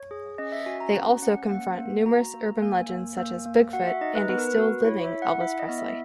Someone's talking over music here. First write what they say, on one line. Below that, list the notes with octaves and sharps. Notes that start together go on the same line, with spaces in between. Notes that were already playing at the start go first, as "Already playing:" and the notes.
They also confront numerous urban legends such as Bigfoot and a still-living Elvis Presley.
Already playing: C#5
G#4
C#4 D#5
E5
F#4 G#5
A#5
C#4 A#5
C#4 F#5
A#3 F#5
A#3
F#4 A#5
A#3
A#3 G#5
A#3
A#3
A#3
F#4 F#5
E5
D#4 D#5
B4
B3 B4
A#4
B4
F#4
E4 C#5
E5
E4
F#5
E4 E5
D#5
B3
E5